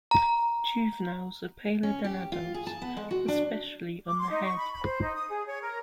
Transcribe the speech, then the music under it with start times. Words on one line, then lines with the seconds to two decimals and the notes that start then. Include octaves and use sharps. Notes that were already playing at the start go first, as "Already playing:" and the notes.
Juveniles are paler than adults, especially on the head.
0.11 A#5
1.83 C#4
2.04 G4
2.32 F4
2.54 G#4
2.67 A5
2.82 B3
2.97 G#3
3.11 F#4
3.28 D4
4.07 D6
4.19 C6
4.30 D#4
4.44 C#6
4.57 B5
4.72 B5
4.84 C5
5.02 D#4
5.16 D#6
5.30 G#4
5.46 C#5
5.62 A#4